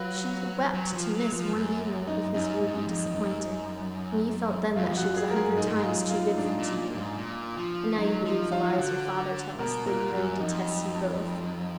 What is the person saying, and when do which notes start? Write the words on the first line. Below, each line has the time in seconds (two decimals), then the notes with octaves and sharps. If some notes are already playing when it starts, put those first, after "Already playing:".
She wept to miss one evening, because you would be disappointed; and you felt then that she was a hundred times too good to you: and now you believe the lies your father tells, though you know he detests you both.
Already playing: F#3 F4 B4
0.74 F#3
0.93 F3
1.13 F#3
1.33 F3
1.54 F#2
2.07 D#4
2.34 F#2 D#4
2.61 G#2
2.74 D#4
2.87 F2
3.06 F2
3.14 F#2 D#4
4.76 F#2 F4
4.89 F2
4.96 F#4
5.03 F#2
5.16 G#4
5.30 A#4
5.36 G#4
5.56 G#2 D#4
5.64 A#2
5.73 G#2
5.83 F4
5.96 F#2
6.10 F4
6.27 D#4
6.36 G#2 D4
6.58 A#2
6.78 A#2
6.98 G#2
7.18 A#2
7.57 F3
7.98 F#3 D#4
8.24 F3
8.52 F3 F4
8.78 D3 F#4
9.59 B2 A#4
9.86 A#2 A#4
10.12 F#2 F#4
10.40 F2 D#4